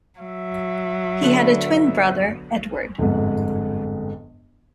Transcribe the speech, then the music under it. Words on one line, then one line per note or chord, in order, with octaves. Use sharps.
He had a twin brother, Edward.
F#3 E5
D3 B3 F#5
G1 F2 G#2